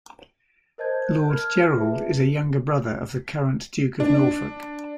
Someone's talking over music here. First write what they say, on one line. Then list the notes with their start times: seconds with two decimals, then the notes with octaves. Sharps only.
Lord Gerald is a younger brother of the current Duke of Norfolk.
0.78 A#4 C5 D#5 A5 G6 G#6
1.07 F#6 G6
1.28 A#4 A5 B5 F6 G#6
1.76 F4 G#4 B4 D5 E5 A5
4.00 D4